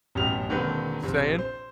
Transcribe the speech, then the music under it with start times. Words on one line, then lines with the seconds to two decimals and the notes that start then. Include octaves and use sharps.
Just saying.
0.15 A1 F#2 B2 G4 F6 F7
0.49 E1 D3 D#3 A#3 C4 B4
1.03 A#1 C3
1.38 C5